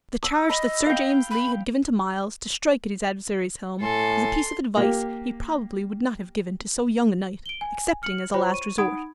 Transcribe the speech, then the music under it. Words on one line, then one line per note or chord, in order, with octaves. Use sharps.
The charge that Sir James Lee had given to Myles to strike at his adversary's helm was a piece of advice he probably would not have given to so young a knight, excepting as a last resort.
D#6 E6
D#5 B5
F5 G5
B5
A2 A4 G#5 C6
A#3 G4
D7 G7
G#5
F6 C#7 F#7
F4 C5 C#5 G5 B5
C#6 D#7
D#4 F#5 B5 D#6 G#6 D7